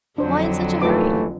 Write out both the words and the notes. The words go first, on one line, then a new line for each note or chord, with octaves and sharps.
"Why in such a hurry?"
F2 D3 F#3 D4 C5
D#2 E3 A3 F4 B4 D6